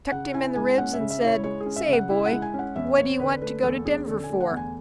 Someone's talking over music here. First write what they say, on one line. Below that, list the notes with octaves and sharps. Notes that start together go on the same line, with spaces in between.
Chucked him in the ribs and said, 'Say, boy, what do you want to go to Denver for?
C#3 F#5
E4 G#5
G#3 G#5
C#4 F#5
E5
C#3
E5
E4 C#5
G#3 C#5
G#4
C#4
E5
C#3
F#5
E4
F#5
G#3
G#5
C#4
F#5
E2 E5
C#4 C#5
D3 B4
A3 B4
E2 A4
C#4 G#4
D3 A4
G#5
A3
F#5
E2
G#5